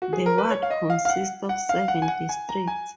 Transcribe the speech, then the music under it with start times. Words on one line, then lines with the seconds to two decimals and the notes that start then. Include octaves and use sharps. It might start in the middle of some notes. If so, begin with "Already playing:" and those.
The ward consists of seven districts.
0.02 F#4
0.13 G#4
0.26 A#4
0.38 B4
0.50 C#5
0.63 F5
0.70 D#5
0.90 F5
1.05 F5
1.10 F#5
1.49 F#5
1.69 F5
1.88 F#5
2.02 G#5
2.08 F#5
2.29 G#5
2.49 A#5
2.67 G#5